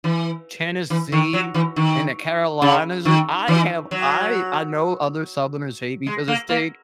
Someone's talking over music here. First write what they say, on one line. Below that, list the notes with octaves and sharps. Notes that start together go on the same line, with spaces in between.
Tennessee and the Carolinas. I have I I know other Southerners hate me for this take,
E3
E3
D#3
F#3
E3
D#3
C#3
D#3
E3
F#3
G#3
A#3
A#3